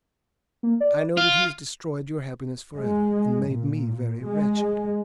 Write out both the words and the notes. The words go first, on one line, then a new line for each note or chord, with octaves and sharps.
"I know that he has destroyed your happiness for ever, and made me very wretched."
A#3
D5
F4 F6
G#3
A#2
G#3